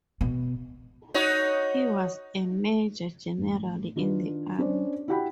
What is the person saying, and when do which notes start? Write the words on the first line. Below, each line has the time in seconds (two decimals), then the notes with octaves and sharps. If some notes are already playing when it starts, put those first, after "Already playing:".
He was a major-general in the army.
0.21 B2
1.14 D#4 F#4 C#5
3.38 A1
3.96 D#3 D4 F4 B4
4.58 C#4 D4 C5 D5
5.08 E4 F#4 G4 F#5 G5 B5